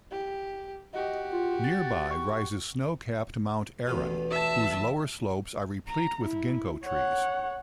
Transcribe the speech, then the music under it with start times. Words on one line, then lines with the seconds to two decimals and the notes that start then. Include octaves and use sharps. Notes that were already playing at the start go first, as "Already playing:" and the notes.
Nearby rises snow-capped Mount Aran, whose lower slopes are replete with ginkgo trees.
0.11 G4
0.93 F#4 G4 D#5
1.32 F4
1.64 A6
2.11 C#6
3.87 A1 E2 B2
4.31 E5 A5
5.88 A#5
6.25 E4
6.85 C#5 F#5